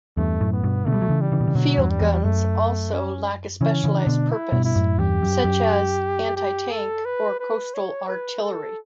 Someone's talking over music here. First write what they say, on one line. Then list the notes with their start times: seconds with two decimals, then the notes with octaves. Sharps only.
Field guns also lack a specialized purpose, such as anti-tank or coastal artillery.
0.17 E2 G2 A3
0.40 F#2 A2
0.52 B3
0.63 G2 B2
0.86 B2 D3 A3
0.94 G3
1.02 F#3
1.09 C#3 E3
1.21 G3
1.32 C#3 E3
1.41 B2
1.47 C#3
1.55 B2 D3 F#3
1.78 E2 G2
1.90 G3
2.00 E2
2.24 F#2 A3
2.93 C#4
3.61 C#3 E3 C#4
3.84 C#3 E3
3.96 D4
4.07 B2 D3
4.30 E4
4.52 G2 B2
4.65 E4
4.75 F#2 A2
4.98 E2 G2 G4
5.22 F#2
5.44 F#2
6.36 G4
6.71 A4
7.05 B4
7.40 B4
7.74 C#5
8.08 B4
8.42 A4